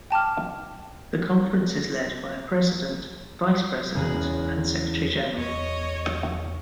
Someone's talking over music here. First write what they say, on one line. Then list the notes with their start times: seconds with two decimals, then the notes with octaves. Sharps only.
The conference is led by a president, vice president, and secretary-general.
0.11 G5 A5 D6 F6
3.95 E2 C#3 G#3 G#4 A#4 F#6
5.37 E2 C#5 D#5 C#6